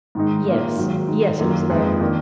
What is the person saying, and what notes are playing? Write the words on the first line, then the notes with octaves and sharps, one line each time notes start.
'Yes--yes--it was there.'
G#2 D#3 G#3 D#4
D#3 A#3 F4
G#2 D#3 F#3
D#3 G#3 D#4
F#2 D#3 A#3 F4
F2 F3 G#3 B3 D#4
D#3 A#3 D4